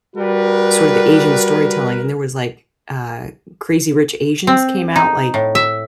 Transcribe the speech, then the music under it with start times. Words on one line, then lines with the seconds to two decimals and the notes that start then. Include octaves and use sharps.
sort of the Asian storytelling, and there was, like, uh, Crazy Rich Asians came out, like,
0.16 G3 F#4 A#4 B4
4.47 C4
4.96 D#4
5.34 A2
5.55 E5